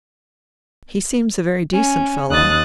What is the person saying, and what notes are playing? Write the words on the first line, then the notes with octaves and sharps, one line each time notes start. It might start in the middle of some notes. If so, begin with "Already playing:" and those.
"He seems a very decent fellow."
C#4
D#2 D#6 F#6 A6